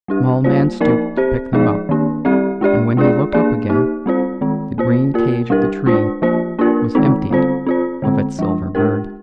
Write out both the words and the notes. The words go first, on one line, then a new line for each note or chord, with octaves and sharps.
The small man stooped to pick them up, and when he looked up again the green cage of the tree was emptied of its silver bird.
G3 D4 G4
G3 A#3 F4 C5
F3 A#3 D#4 A#4 D5
C4 G4 C5
F3 G#3 D#4 G#4 D5
D#3 A#3 D4
G3 C4 G4 D5
G#3 D4 G4 D5
G#3 D4 F4 G#4 D5
A#3 D4 G#4 D5
A#3 D#4 G4
G3 C4 F4 C5
D#3 G#3 C4
A#3 F4 C5
A#3 F4 A#4
G3 D4 G4 A#4
G#3 D4 F4 C5
F3 A#3 F4 C5
A#3 D4 F4 A#4
D#3 G#3 C4 D#4
D3 G3 C4 F4 C5
C4 F4 C5
D3 G#3 C4
F3 G#3 D4
G#3 D4 G4 A#4